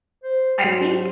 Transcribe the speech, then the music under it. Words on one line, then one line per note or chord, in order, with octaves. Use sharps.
I think
C5
G#2 F#3 C6